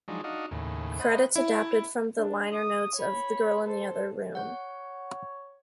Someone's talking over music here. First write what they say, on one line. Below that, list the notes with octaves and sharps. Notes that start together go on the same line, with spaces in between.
Credits adapted from the liner notes of "The Girl in the Other Room".
F3 F#3 G#3 D4 D#4
D4 D#4 F#4 D#5 F5
D#2 A2 C#3
C5 D#5 F#5 B5
E4
D4
D#6
C#5 B5
A4 C5
C#5 F#5 G6